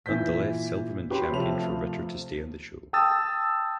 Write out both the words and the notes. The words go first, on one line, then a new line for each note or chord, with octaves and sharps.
Nonetheless Silverman championed for Ritter to stay on the show.
A#2 E3 B4 G6 B6
F#4 G4 B4 C#5 B5 C6
C3 F3 A3 A4 F7
G5 A5 D#6 E6 A6